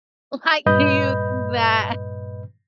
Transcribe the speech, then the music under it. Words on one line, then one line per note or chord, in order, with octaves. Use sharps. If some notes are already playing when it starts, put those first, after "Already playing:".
Like, do you think that
G2 A#2 B4 D#5 B5 G6